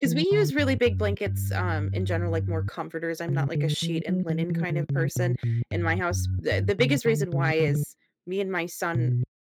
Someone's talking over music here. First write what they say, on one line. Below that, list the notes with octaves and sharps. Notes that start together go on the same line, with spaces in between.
'Cause we use really big blankets, um, in general, like, more comforters, I'm not like a sheet and linen kind of person in my house, the the biggest reason why is me and my son
E3
D3
G2
F#2
G2
C#3
D3
E3
F#3
E3
E3
D3
C#3
B2
A#2
G2
F#2
G2
C#3
D3
C#3
D3
C#3
D3
B2